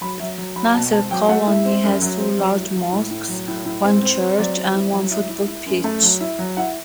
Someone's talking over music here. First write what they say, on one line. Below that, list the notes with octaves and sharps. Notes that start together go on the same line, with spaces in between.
Nasir Colony has two large mosques, one church, and one football pitch.
F#3 B5
F#3 E5
F#3
F#3 B5
B2 A5
C4 A5
F#3 G5
A3 F#5
E4 E5
C4
F#2
F#3
C4
F#3
E4
F#3
A2
A2
F#3
A2
A2
C4
C4
C4
F#3 D5
C4
E4
F#3
E4 E5
E4
E4
F#2
A3
F#3
E4
F#3
E4 F#5